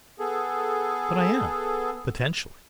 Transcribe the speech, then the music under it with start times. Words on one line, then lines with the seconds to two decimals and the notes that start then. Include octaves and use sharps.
"But I am, potentially."
0.19 B3 G#4 A4